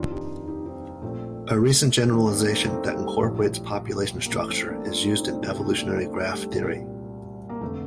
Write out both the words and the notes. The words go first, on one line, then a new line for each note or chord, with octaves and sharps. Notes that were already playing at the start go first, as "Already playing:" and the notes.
A recent generalization that incorporates population structure is used in evolutionary graph theory.
Already playing: F1 D#2 D#3 D4 F4
D#4 G4
D#4 G4
C4 D#4
A#1 A#2 A3 C4
D#2 D#3 C4 D#4
A#3 D4
A3 C4
A3 C4
G3 A#3
G3
A#1 A2
A#3
A1 A2 A3
A3 C4
A#3 D4
D4 F4
C4 D#4
C4 D#4
D4
D2 C3 D#3 A3 C4
A3
A#3 D4
A3 C4
A3
G3
C2 A#2
A#3
F1 D3 A3